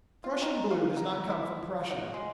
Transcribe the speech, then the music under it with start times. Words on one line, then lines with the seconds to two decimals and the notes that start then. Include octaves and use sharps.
Prussian blue does not come from Prussia.
0.24 F4
0.42 D#3
0.71 F5
0.97 A#5
1.09 B3
1.30 E4
1.91 F#4
2.14 G#3